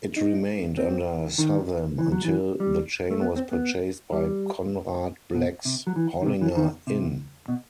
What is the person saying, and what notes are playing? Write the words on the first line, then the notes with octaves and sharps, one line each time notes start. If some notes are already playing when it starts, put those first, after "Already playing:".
It remained under Southam until the chain was purchased by Conrad Black's Hollinger In.
D#4
C4
D#3
E3
F#3
E3
G3
A3
B3
C4
B3
G3
B2
C3
F#3
E3
D#3
C3
E3
D#3
C3
B2